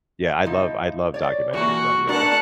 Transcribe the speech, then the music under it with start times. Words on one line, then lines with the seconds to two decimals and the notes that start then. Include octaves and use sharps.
Yeah, I love I love documentaries about music.
0.45 F3 D#4 E4
1.14 C#5 D5
1.53 E3 A#3 F#4
2.09 A3 D4 A#4 F#5 A5